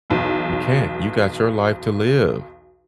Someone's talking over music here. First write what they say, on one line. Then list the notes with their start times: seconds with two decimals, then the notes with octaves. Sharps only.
You can't. You got your life to live.
0.10 B1 E2